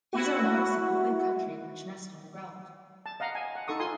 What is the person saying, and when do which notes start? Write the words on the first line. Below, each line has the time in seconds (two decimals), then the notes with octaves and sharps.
These are larks of open country which nest on the ground.
0.13 E4 F#4
3.06 A5
3.20 D#5 F5 F#5 A#5
3.35 G#5
3.55 F#5
3.68 D#4 A4 C#6 D#6
3.79 F4 G#5 C6 D#6